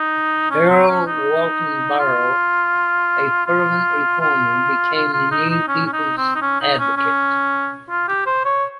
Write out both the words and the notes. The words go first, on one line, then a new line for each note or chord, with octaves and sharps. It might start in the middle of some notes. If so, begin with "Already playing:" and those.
Errol Walton Barrow, a fervent reformer, became the new people's advocate.
Already playing: D#4
C#4
C4
C#4
D#4
F4
F4
F4
F4
F4
D#4
D#4
C#4
C#4
D#4
C4
D#4
C#4
D#4
C#4
C#4
F4
G4
C5
C#5